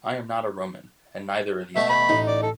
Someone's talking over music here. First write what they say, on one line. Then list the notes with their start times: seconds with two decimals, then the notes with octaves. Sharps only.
I am not a Roman, and neither are these gentlemen.
1.76 B2 A3 E5
1.89 B5
2.09 A1 D#4
2.27 D5
2.43 A4